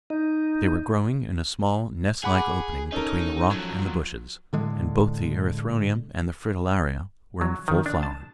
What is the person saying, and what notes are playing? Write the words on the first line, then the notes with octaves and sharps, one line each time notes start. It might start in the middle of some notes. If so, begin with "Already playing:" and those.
They were growing in a small, nestlike opening between the rock and the bushes, and both the erythronium and the fritillaria were in full flower.
D#4
G#4 F#5 B5 D6
C#4 D#4 A4 A#4
F3 F#3
A2 D3 G#3
F#3
D#3
D4
A5